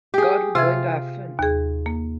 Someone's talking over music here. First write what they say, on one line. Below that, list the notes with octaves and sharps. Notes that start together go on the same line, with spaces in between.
God we're going to have fun.
G4 G#4
C3 F4 E5 G#6
D#2 G#4
A#3